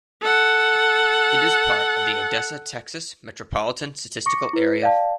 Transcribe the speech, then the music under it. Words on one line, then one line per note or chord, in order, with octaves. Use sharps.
It is part of the Odessa, Texas, Metropolitan Statistical Area.
A4 F#5
C#6 D6 A#6 C#7
E4 B4
D5 F5 G5 A5